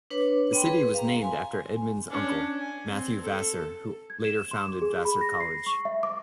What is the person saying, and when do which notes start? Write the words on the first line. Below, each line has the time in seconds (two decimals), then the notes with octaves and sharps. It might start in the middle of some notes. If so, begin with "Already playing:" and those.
The city was named after Edmund's uncle, Matthew Vassar, who later founded Vassar College.
0.10 D4 B4 C#5 D6
0.53 B3 G5 C6
0.64 G#4 B4
0.94 F5 A#5
1.21 G#5 C6
2.09 C#4 D4
2.58 G#5
2.90 C4
3.20 A4
4.10 G#6
4.25 E7
4.51 C6
4.68 D6
4.82 G#4
5.05 B5
5.21 A#6
5.40 C7
5.66 C#6
5.85 E5
6.03 D6